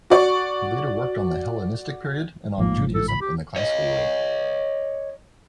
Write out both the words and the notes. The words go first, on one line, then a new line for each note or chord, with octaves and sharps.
He later worked on the Hellenistic period and on Judaism in the classical world.
F#4 D5 C#6
A1 G#2 F3 A#3
A4
B5
G4
C#5 D#5